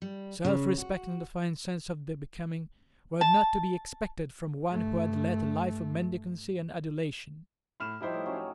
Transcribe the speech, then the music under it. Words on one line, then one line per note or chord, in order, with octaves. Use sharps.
Selfrespect and a fine sense of the becoming were not to be expected from one who had led a life of mendicancy and adulation.
G3
C#3
F#4
A5
G2 A3
A2 F6 E7
F3 G3 D#4 E4 G4 C5
A2
F#3 C#4